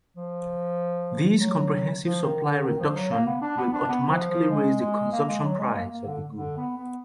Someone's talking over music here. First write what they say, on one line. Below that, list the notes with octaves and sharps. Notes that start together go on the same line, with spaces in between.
This comprehensive supply reduction will automatically raise the consumption price of the good.
F3
F#3
F3
D#3
D3
D#3
F3
F#3
A#3
B3
D4
B3
D4
B3
F3
F3
G#3
G#3
A#3
G#3
F#3
G#3
A#3
A#3
D3
D3
B3
B3